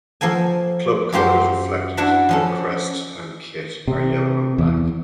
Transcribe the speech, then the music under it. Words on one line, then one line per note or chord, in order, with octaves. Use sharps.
The club colours, reflected in their crest and kit, are yellow and black.
F3 A#3 A4 G#5
F#2 F4 G4 C5 C6
D4 E4 F#4 F#5 A5 B5
F3 C#4 A4
C3
E2